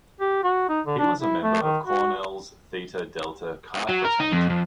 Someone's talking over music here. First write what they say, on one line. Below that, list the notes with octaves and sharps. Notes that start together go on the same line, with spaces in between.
He was a member of Cornell's Theta Delta Chi fraternity.
G4
F#4
D#4
D3
D4
E4
A3
D#3
F#4
F#3
A#4
D#4
F2
F2